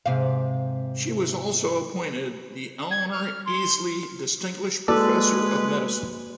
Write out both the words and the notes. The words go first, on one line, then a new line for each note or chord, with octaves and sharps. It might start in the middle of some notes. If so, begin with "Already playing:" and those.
She was also appointed the Eleanor Easley Distinguished Professor of Medicine.
G#2 C3 F5
G#6
F6
C6
G#3 A#3 F#4 A4 B4 D5